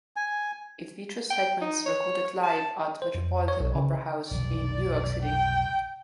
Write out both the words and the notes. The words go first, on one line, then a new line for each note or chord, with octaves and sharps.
It features segments recorded live at Metropolitan Opera House in New York City.
G#5
G5
D#4
C#5
A5
C5
F2
C#5
B1
C#3
F1 B1 D#3 D5
G5